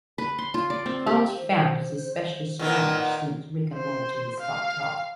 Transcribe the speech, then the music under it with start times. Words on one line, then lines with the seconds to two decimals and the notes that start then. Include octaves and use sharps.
Plante found it especially strange since "Rick and Morty" is "fucked up".
0.18 B4
0.38 C6
0.54 F4
0.70 D5
0.86 C4
1.07 G4
1.36 C5
2.59 A#2 D#3 B3 F#5
3.74 C5
4.40 F5